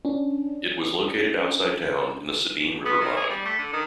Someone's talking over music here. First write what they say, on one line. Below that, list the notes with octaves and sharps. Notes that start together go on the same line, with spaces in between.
It was located outside town in the Sabine River bottom.
C#4 D4
B3
D#3
G#4
G3
A3
D3
D#3